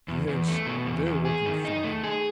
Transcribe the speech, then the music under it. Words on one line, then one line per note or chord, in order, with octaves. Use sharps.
Yes, they're working fine.
E2
E2
A3
B2
E2
E2
G#4
D#3
D#4
A3
G#4